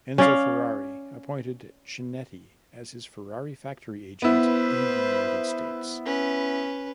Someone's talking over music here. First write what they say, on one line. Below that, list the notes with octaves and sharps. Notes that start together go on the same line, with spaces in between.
Enzo Ferrari appointed Chinetti as his Ferrari factory agent in the United States.
C#4 D5 F5
B3 E4 B4 C5
C#4 B4